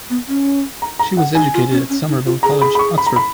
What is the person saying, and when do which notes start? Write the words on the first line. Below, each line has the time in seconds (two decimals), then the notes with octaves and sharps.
She was educated at Somerville College, Oxford.
0.10 B3
0.28 C#4
0.82 A#5
0.99 A#5
1.17 F#5
1.35 D#4 G#5
1.54 F4
1.71 C#4
1.89 C#4
2.08 D#4
2.26 F4
2.43 G#4 A#5
2.61 B5
2.75 B5
2.79 C#6
2.98 B5
3.07 A#5
3.16 B5